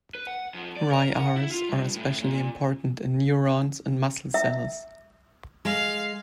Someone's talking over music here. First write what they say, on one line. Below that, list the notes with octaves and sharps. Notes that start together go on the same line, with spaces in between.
RyRs are especially important in neurons and muscle cells.
B4
F#5
F2
D5
A#4
F#5
E4
F4
G2
A2
A#2
E5
G#3 F5